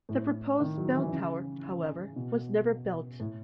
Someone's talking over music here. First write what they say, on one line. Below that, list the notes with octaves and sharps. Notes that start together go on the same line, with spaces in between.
The proposed bell tower, however, was never built.
A2
D#3
F#3
E3
D#3
C#3
B2
A2